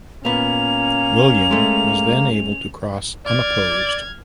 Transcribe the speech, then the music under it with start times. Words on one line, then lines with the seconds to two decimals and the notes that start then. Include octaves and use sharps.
William was then able to cross unopposed.
0.25 A#2 A#3 B3 C#4 F7
1.51 G#3 A3
3.26 D5 F6 G#6